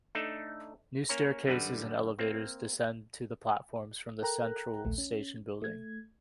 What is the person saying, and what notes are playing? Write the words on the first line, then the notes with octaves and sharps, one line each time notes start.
New staircases and elevators descend to the platforms from the central station building.
A3 D4 D#4 A4
A#3 C#4 C#5 A#5
F#2 D3 G3 B4 F#5
A#3 C4
A4 A#4 G5 A#5 F#6
A#1 D#2 A3
C#4
A3 G#6